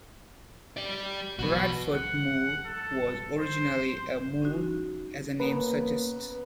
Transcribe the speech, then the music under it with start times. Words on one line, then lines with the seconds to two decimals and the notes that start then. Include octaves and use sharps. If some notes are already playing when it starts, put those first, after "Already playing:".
Bradford Moor was originally a moor, as the name suggests.
0.77 G4 D5
1.39 B1 F#4 B4
1.93 F#5
2.65 A4
3.39 C5
4.42 C#4 D#4 F#4
5.40 C#3 A#3 B3 B4 A#5